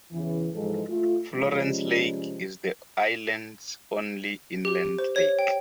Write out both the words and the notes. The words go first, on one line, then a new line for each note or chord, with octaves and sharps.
Florence Lake is the island's only inland lake.
E2 C#3 E3
G#2 E3 F3 G#3 A4
A3 F4
C3 F3 G3 G#3 C#4
G4
C5
C#5
G5